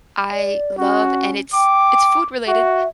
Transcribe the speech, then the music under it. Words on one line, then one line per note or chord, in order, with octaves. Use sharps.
I love, and it's it's food related,
D5
C#4 F#4
G5 D6
F#4 E5